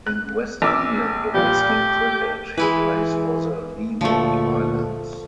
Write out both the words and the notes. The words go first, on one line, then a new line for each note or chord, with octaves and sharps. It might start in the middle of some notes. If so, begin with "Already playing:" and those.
In West Indian domestic cricket he plays for the Leeward Islands.
F#6
A#1 D6 E6
A#2 F3 G3 G4
A3
E3 G#3 E4 B4
D2 A#2 F3 A3 C#6